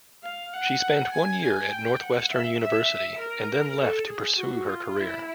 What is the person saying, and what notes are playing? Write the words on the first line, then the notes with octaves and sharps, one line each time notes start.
She spent one year at Northwestern University and then left to pursue her career.
F5
F#5
G#5
G#5
G5
F#5
E5
E5
A#4
A4
G#4
F#4
F4
E4